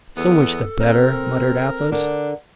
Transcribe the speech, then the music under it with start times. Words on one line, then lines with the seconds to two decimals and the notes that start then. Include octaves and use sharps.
"So much the better," muttered Athos.
0.17 E2 B3 A4
0.81 C4 A#4
1.92 D3 D4 A#4